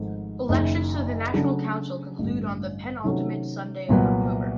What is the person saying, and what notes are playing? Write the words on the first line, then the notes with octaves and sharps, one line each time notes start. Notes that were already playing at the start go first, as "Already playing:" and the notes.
Elections to the National Council conclude on the penultimate Sunday of October.
Already playing: G#1 G#2 F3 A3
F#1 F#2 D#3
C#3 F#3 A3 D4
A1 G2 D3
C3 D#3 F#3 A3 C#4
C2 A#2 F#3 B3